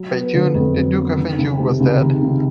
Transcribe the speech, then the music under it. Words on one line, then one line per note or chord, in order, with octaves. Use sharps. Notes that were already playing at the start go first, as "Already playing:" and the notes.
By June, the Duke of Anjou was dead.
Already playing: F#3
B3
D3
F2
F#3
B3
D#3
C#2
C3
C#2
D#3
C#2